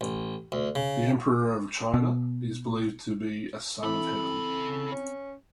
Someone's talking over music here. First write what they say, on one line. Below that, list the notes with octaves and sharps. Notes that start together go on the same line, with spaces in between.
The emperor of China is believed to be a Son of Heaven.
A1
D2
C#3
B2
C#3 E3 C4 A4 B5
C#4